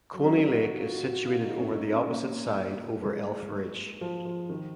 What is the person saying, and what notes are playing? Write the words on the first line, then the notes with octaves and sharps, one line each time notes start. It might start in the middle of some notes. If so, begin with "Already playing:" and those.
Coney Lake is situated over the opposite side over Elf Ridge.
F#3
C#4
D#4
F#4
F#4
F4
F#4
F#4
F4
D#4
C#4
D#4
D#4
C#4
A#3
G#3
F3
F3
D#3